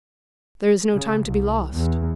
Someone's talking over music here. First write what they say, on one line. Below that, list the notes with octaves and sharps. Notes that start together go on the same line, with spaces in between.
"There is no time to be lost."
C#3
C2
E2